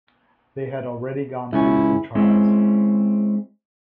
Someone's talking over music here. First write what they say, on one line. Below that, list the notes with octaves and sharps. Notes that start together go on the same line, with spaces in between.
They had already gone through some trials.
C#2 C#4 E4
G#3 C4 C#4 E4